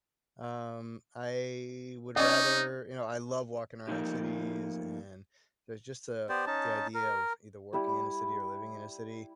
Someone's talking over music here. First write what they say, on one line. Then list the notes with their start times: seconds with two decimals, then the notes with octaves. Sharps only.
um, I would rather you know, I love walking around cities, and there's just a the idea of either working in a city or living in a city
2.16 C#4 D#4 D5 D#5
3.87 F3 G3 A3 A#3 D#4 G4
6.29 B3 G4 C5 D5
6.47 C#4 D#4 A5
6.94 A#4
7.73 G3 E4 G4